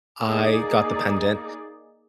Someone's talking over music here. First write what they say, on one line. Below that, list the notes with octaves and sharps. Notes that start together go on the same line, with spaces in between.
I got the pendant.
A#3 D#4 G#4 D5